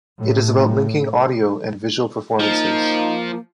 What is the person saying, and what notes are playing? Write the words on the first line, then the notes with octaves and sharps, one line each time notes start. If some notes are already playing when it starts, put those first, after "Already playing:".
It is about linking audio and visual performances.
A2
F3 A#3 D#4